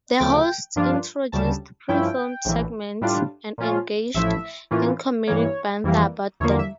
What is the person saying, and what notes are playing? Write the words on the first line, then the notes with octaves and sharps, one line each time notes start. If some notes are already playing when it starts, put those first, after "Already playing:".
The hosts introduced pre-filmed segments and engaged in comedic banter about them.
D2 C#3 F3 A3 G5
G2 F3 A#3 D4 F4
D2 C#3 G3 A5
G2 F3 C#4 E4 G5
A#1 A2 E3
A2 G3 D4 F4
A#2 F3 C#4 F4
A1 A2 F3 A3 E4 E5
A2 E3 A#3 C#4 F4
G2 E3 A#3 C#5
F2 E3 G3 A#3
E2 D3 F3 A#3 C#5
E5